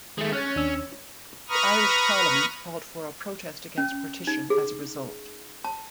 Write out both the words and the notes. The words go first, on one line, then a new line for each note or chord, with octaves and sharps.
The Irish parliament called for a Protest Against Partition as a result.
D#3 G#3 A3 G#4
C#4 F6 F#6 A6
D#2 D4 E6
B4 A#5 B5 C#6 D#6 F6
C#4
D#4
G#4
A5